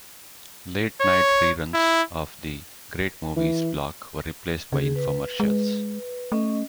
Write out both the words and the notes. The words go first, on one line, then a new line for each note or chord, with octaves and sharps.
Late night reruns of the "Great Movies" block were replaced by infomercials.
C#5
E4
E3
C#3 G#4
B4
G#3
A3 C#4 D#5